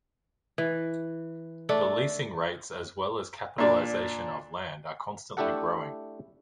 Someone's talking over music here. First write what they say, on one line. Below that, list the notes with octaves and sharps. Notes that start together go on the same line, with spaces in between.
The leasing rates as well as capitalization of land are constantly growing.
E3
A3 D4 A4
A#2 D4
A3 D4 E4 G4 A4 F#5